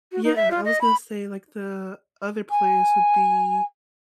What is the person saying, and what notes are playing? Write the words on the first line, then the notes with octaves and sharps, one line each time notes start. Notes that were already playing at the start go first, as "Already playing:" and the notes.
Yeah, I was gonna say, like, the other place would be,
F#4
D#4
E5
F4
D#5
B5
G#5